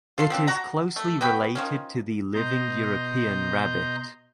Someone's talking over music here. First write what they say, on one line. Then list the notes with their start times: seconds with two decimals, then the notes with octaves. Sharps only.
It is closely related to the living European rabbit.
0.18 F4 A4 C6
0.30 F3 C4 D4
0.47 F#4 F#5 A#5
0.96 A3
1.21 B3 F#4 G5 B5
1.55 D#3 F3 C#4
2.34 B2 D#5 A#5 C6 G6